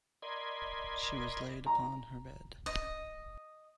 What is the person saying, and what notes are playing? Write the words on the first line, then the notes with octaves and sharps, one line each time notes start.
She was laid upon her bed.
A#4 D5 D#5 B5 C6 G#6
A#5
D#5